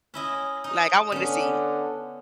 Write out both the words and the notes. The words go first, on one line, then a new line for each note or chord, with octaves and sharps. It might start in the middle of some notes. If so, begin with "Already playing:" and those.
Like, I wanted to see
C#4 E4 D#5
D#4
D3 B3 C#4